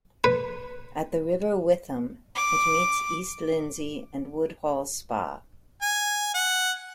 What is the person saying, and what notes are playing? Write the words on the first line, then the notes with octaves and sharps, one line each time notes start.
At the River Witham, it meets East Lindsey and Woodhall Spa.
B4
D6
G#5
F#5